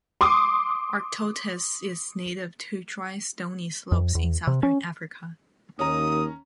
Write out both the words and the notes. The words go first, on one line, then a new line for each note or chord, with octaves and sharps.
"Arctotis" is native to dry stony slopes in southern Africa.
C6 D6 D#6
F2
E2
C3
C#4
D#2 C#4 A#5 D#6